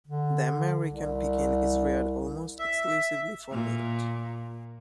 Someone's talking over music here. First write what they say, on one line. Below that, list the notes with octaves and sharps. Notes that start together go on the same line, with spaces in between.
The American Pekin is reared almost exclusively for meat.
D3
C2
E5
A#2